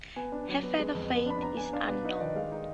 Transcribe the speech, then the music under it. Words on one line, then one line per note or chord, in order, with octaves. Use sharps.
Her further fate is unknown.
B3 G#5
D4
F#3
B3
G#3
F2
B3
D4 B5
B3 A#5
D4 G#5
D4 F5
B2 B4
D#4 B4
D#3 D5
G#3 F5
D#4